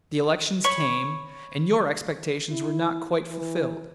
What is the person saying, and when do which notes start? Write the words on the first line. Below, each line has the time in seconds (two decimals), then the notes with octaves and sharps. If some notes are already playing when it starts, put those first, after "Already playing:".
The elections came, and your expectations were not quite fulfilled.
0.64 C#5 B5 C#6
2.50 E4
3.30 E3